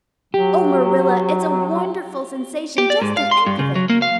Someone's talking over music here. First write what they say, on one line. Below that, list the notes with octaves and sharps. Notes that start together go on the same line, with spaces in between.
Oh, Marilla, it's a wonderful sensation just to think of it.
F#3 G4
G4
D5
G#2
F5
C6
G2
C#3
F#3
A#3
F5